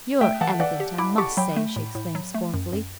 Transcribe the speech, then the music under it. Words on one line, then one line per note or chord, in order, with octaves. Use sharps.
"You're elegant, I must say!" she exclaimed, scornfully.
A3 E5 G5
E3 F#5 A5
E3 D5 F#5
G4
E4 B5 D6
G4 A5 C#6
F#3 G5 B5
A3
A2
A2
F#3
A3
F#2
F#2